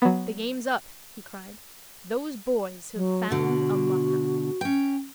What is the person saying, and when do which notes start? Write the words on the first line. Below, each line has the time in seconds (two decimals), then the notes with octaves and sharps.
"The game's up," he cried, "those boys have found a mother."
0.02 F#3 B3
2.95 F#3
3.30 B2 D3 F#4
4.61 C#4 G5